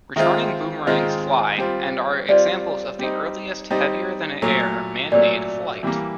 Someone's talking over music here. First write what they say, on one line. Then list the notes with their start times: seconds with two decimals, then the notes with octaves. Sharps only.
Returning boomerangs fly and are examples of the earliest heavier-than-air man-made flight.
0.16 D#3 G#3 C4 F4 E5
0.87 D#3 G#3 C4 F4 D#5
1.58 G3 C4 F4
2.29 G3 C4 F4 D5
2.99 G3 C4 D#4
3.71 G3 C4 D#4 D#5
4.42 A#2 F#3 A3
5.12 A#2 F#3 A3 D5
5.83 E3 G3 A#3